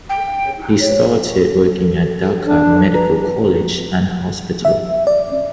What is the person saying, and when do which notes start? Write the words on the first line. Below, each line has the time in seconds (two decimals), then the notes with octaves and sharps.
He started working at Dhaka Medical College and Hospital.
0.09 G5
0.81 C#5
1.13 A4
2.45 D4
2.94 B4 A#5
4.65 E5
5.07 D5